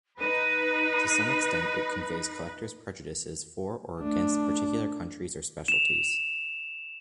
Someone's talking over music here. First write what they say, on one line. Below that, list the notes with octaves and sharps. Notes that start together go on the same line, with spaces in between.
To some extent it conveys collectors' prejudices for or against particular countries or specialties.
D#4 B4 D#7
A3 D4
E7 F7